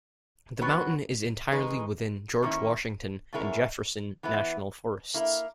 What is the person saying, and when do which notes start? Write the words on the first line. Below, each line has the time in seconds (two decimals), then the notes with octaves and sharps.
The mountain is entirely within George Washington and Jefferson National Forests.
0.61 D#3 F#3 B3 F#4 B4
1.52 D#3 G#3 D#4 G#4 B4
2.42 D#3 A#3 C#4 E4
3.33 B2 G#3 C#4 E4 A#4
4.23 E3 B3 E4 B4
5.14 A#3 E4 A#4